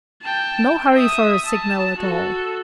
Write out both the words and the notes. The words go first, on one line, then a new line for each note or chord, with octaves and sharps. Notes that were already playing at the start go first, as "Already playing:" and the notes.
No hurry for a signal at all.
G5 A5
E5 D#6
A5
F#4 A4